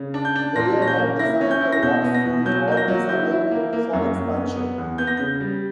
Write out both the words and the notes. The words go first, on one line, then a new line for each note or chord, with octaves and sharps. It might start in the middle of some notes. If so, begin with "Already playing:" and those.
Beyer had designed the works so it always allowed room for expansion.
Already playing: C#3
D4
G6
D4
A#2 A#6
C#4 A#6
G6
A#3
E4 A#6
C#4
G6
E4
A#6
B2 G6
B3
A#6
B2
F#3 G6
A#3 G6
A#6
F#3
E4 G6
E4
A#3
A#3
F#2
F#2
B3
B3
E2
B3 G6
A#6
C#3 G6
G3